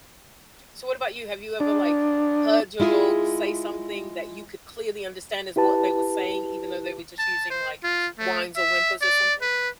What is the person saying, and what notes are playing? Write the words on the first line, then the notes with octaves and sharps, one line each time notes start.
So, what about you? Have you ever, like, heard your dog say something that you could clearly understand is what they were saying even though they were just using, like, whines or whimpers or something?
D4
G#3 E4 F4 G#4
E4 G4 B4 A5
A5
C5
F4
A3
E5
D5
B4